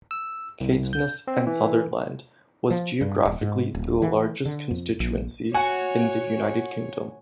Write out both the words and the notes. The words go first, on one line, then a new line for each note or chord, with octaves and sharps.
Caithness and Sutherland was geographically the largest constituency in the United Kingdom.
E6
C2
G6
C4
E3
F3
G2
D#1
G#2
D#1
E3
D3
F2
A#1
F#4 C#5 F#5 G#5